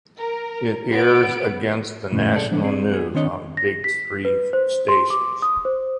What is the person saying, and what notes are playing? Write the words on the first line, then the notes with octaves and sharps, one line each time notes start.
It airs against the national news on the big three stations.
A#4
B3 D7
F2 A2 C#3
B1 G#4 A4 D5 A5
D3 F3 G#3 B3 D4
C4 G#4 D5
B3 G#4
D#3 C4 D4 C#5 D#5
A#6
B6
B4
C5
C6
D6
D#6
C5